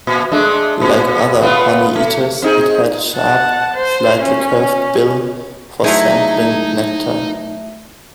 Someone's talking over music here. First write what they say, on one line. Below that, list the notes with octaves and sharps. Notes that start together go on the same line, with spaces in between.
Like other honeyeaters it had a sharp, slightly curved bill for sampling nectar.
A#2
G#3 A3 D4
A#2
A3 B3 F4
A3
C4 D#4 G#4
F#5 A5
C5
C#4
F#3 A3 D#4 E4 G#4 E5